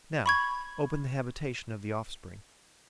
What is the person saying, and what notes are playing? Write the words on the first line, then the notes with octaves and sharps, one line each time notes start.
Now open the habitation of the offspring.
B5 C#6 G#6